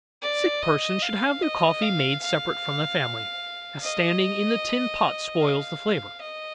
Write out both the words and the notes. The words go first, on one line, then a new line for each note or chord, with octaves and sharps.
Sick persons should have their coffee made separate from the family, as standing in the tin pot spoils the flavor.
D5
D#5
F5
D#5
F5
F5
D#5
F5
D#5